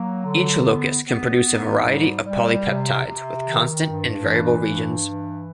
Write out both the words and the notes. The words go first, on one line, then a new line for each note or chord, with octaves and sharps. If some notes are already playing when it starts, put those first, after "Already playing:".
Each locus can produce a variety of polypeptides with constant and variable regions.
Already playing: F#3 A#3
D3
B3
B3
G#2
G3
G3
C3
C3
D#3
G2
E3
G2
E3